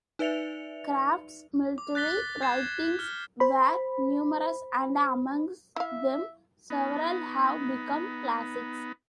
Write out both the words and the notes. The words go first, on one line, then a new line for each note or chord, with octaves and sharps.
Kraft's military writings were numerous, and amongst them several have become classics.
D#4 B4 D5 E5 C#7 F7
D6
F#6 A6 B6 G7
G6 G#6 C7 E7
F6 G7
C5 B5
E4 E5 F5
B3 D#4